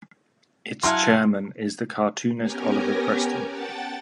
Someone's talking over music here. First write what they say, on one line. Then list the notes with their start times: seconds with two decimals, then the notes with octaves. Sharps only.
Its chairman is the cartoonist Oliver Preston.
0.83 F#3 E4 F5 F#5 G#5 A5 C6 F6
2.41 B3 C#4 G4 A#4 G#5 A#5
3.46 F#5 G5 A5 A6